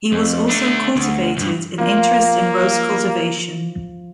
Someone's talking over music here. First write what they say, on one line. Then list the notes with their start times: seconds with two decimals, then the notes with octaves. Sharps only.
He was also cultivated an interest in rose cultivation.
0.12 F2
0.49 A3 D4
0.96 D2
1.37 C#2 G2
1.79 F3 A#3